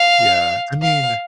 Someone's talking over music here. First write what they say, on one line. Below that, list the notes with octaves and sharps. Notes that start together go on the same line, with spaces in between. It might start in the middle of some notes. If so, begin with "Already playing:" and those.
Yeah. I mean
Already playing: F5
F5